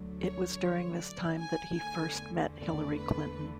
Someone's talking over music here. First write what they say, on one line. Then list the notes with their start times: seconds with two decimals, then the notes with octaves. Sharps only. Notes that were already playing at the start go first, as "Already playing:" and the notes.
It was during this time that he first met Hillary Clinton.
Already playing: D2 D3 F#3 A3
0.21 C#5
1.00 D5
1.39 G#5
1.79 E2 D3 A3 G#5
2.57 D5
2.97 B4